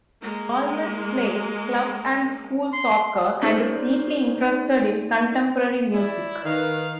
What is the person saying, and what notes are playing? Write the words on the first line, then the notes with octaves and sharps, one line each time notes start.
Allman played club and school soccer and is deeply interested in contemporary music.
G#3 A#3
C6
C#4 D#4 G#4 B4 C5 D5
E4 D5
D#3 B4 F5